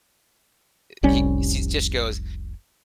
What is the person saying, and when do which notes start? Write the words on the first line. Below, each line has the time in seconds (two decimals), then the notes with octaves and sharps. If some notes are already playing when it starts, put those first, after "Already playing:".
uh, he sees just goes
1.03 F1 C2 G3 C#4